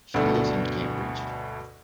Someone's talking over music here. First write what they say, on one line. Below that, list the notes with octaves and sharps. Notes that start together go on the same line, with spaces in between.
She lives in Cambridge.
D2 G2 B2 A3 D4